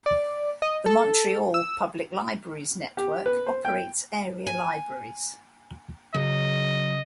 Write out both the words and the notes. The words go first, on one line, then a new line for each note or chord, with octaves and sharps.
The Montreal Public Libraries Network operates area libraries.
D5
D#5
A4
E6
G4
B4
C5
G5
G#5
C#3 F#3 D#5